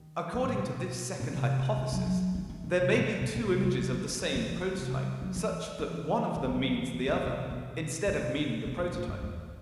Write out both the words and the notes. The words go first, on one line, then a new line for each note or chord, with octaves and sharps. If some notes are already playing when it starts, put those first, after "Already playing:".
According to this second hypothesis, there may be two images of the same prototype, such that one of them means the other, instead of meaning the prototype.
Already playing: D#3
F#3
A2
B2
B2
C3
D#3
F#3
F#3
D#3
E3
D#3
C3
A2
B2
B2
B2
C3
E3
F#3
G3
F#3
D#3
E3
D#3
C3
G3
F#3
E3
E3
D#3
E3
F#3
E3
E3
B2
C3
B2
B2
A2
B2
B2
B2
A2
G2
E2